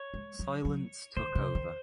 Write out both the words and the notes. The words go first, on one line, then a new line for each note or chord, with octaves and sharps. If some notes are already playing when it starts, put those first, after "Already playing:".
Silence took over.
Already playing: C#5
G#3
F#3
F#3
D#3 C5
C#3
D#3